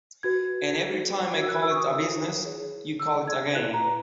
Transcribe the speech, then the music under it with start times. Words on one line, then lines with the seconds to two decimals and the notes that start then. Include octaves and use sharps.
And every time I call it a business, you call it a game.
0.23 F#4 B4 G#6
1.34 F#4 A#4 C#5 G#6
1.41 E6
1.49 F#6
1.62 E6
1.71 C#6
1.75 D#6
2.45 E4 G#4 C#5
3.00 E6
3.28 G#6
3.55 E4 B4 F#6
3.74 A#5